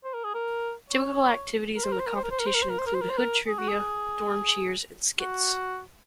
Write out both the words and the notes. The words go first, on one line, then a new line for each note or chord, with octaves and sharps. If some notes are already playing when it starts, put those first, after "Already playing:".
Typical activities in the competition include Hood trivia, dorm cheers and skits.
C5
A#4
G#4
A#4
C#5
A#4
C5
A#4
C5
A#4
C5
A#4
C5
A#4
C5
A#4
C5
A#4
C5
A#4
C5
A#4
C5
A#4
G#4
F#4
G#4
F#4